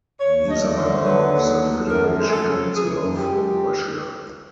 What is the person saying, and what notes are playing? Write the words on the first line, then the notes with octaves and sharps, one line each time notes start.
He is a member of the Federation Council of Russia.
D#2 C#5
A3 D#5
D5
D3 C#5
C5
F#3 B4
D#2
A3
F#2 A#4
G#3
G#4
A4
C#3
E3 G#4
F#2
G4
G#3